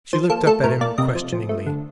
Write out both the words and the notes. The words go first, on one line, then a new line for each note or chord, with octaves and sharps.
She looked up at him questioningly.
F3 C5
A#3 A4
A3 A4
A2 A#4
A#3 D5
C3 D#5
F3
F3
A3
D3